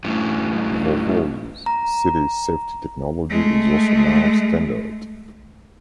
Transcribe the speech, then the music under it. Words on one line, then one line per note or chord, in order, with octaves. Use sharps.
Volvo's City Safety technology is also now standard.
F#2 A2
A#5
G#3 A3